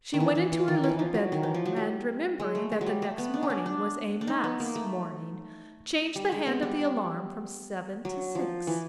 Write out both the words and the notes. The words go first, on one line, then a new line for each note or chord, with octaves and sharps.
She went into her little bedroom and, remembering that the next morning was a mass morning, changed the hand of the alarm from seven to six.
D#3
E3
E3
E3
D#3
E3
F3
F#3
D#3
E3
F3
F#3
G3
G#3
A3
G#3
F#3
G3
A3
B3
D4
C#4
D4
D4
D4
D#4
B3
A#3
A3
G3
G#3
B3
G3
F#3
F3
E3